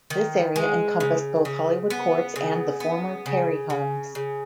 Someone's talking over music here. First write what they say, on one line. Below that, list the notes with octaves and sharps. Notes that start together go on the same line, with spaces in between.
This area encompassed both Hollywood Courts and the former Perry Homes.
D#3
G#3
C#3
C#3
B3
C#3
B3
C#3
C#3
C#3